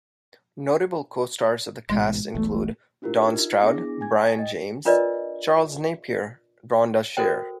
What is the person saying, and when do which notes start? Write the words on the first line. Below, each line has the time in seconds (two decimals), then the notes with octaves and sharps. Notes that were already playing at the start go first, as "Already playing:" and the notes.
Notable co-stars of the cast include: Don Stroud, Brion James, Charles Napier, Rhonda Shear.
1.89 A1 G#2 B2 G#3
2.35 E1 B1 E2 A3
3.02 D4 E4 F4 G4 A#4
3.27 D#4 F4 E5 G#6
3.63 B3 D4 E4 G#4 D6 A#6
4.01 G#5 G#6
4.38 D#5 G5 A6
4.85 D4 F4 A#4 B4 D5 D#5
7.17 F#4 A4 A#4 C5 G5